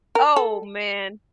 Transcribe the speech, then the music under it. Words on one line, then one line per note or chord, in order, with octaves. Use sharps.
Oh, man.
A#4
A4